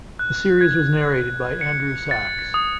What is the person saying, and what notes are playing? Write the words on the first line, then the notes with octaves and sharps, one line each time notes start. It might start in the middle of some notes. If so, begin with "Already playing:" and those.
The series was narrated by Andrew Sachs.
F#6
G#6
G#6
C#7
A6
D#6